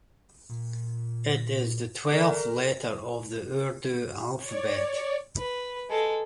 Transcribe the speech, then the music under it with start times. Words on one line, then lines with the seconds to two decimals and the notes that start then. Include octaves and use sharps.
It is the twelfth letter of the Urdu alphabet.
0.49 A#2
2.09 A4 A#4 D5
4.38 C#5 D5
5.37 B4
5.90 G#3 A4